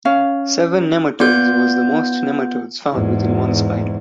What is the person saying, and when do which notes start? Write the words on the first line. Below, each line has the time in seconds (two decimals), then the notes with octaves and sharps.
Seven nematodes was the most nematodes found within one spider.
0.05 C#4 F5
1.20 B3 F4 D5 G6
2.92 E2 G#2